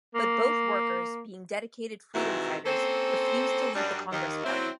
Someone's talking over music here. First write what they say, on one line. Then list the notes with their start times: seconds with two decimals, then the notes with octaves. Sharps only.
But both workers, being dedicated freedom fighters, refused to leave the Congress Party.
0.15 A#3
2.14 G#2 C3 D#3 E3 E4 F#4
2.66 A#3 C4 C#4 A4 C5
3.75 F#2 G3 D4
4.12 D#2 D#3
4.44 F#3 C4 E4